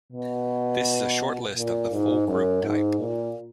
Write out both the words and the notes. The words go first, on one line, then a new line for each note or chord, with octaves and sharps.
This is a short list of the full group type.
B2
A#2
G#2
F#2
G#2
A#2